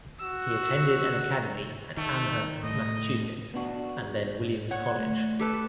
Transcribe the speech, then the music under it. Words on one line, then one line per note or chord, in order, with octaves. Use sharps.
He attended an academy at Amherst, Massachusetts, and then Williams College.
F#4 E6
D#3 A3
A2 D#5
B3 D4 F#4
C#5 F#5
A3
G4 A4 B4